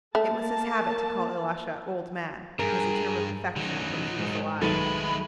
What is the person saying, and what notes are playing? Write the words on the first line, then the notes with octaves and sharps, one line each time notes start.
It was his habit to call Ilusha "old man," as a term of affection when he was alive.
A3 A#3 A5
G2 G#4 A#4
F#2 D#3 F#3 D#4
G#2
B1 D#3 G#3 A3 A4 B4 B5 D#7